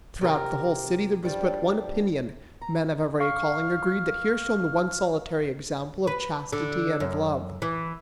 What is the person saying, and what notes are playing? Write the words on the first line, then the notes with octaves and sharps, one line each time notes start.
Throughout the whole city there was but one opinion, men of every calling agreed that here shone the one solitary example of chastity and of love!
C3 F#4 G4 A#4
G2 F3 G3 D4
A#5
F5 C#6 F6
B4
D3
F#2
E3